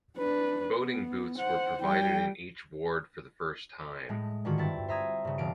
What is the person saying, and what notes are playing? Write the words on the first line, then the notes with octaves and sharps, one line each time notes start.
Voting booths were provided in each ward for the first time.
D4 B4
B3
C5 F#5
G3 G5
A2 G#3
G#2 D3 D#3 F4 F#4
G2 C4 E4 A6
C5 E5 A#5 D#6 G#6
G2 C#3
E1 F5 D7